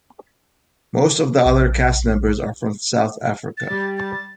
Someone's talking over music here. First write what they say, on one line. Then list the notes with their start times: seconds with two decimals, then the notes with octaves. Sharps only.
Most of the other cast members are from South Africa.
1.46 A#1
3.57 A6
3.70 G3
3.97 A6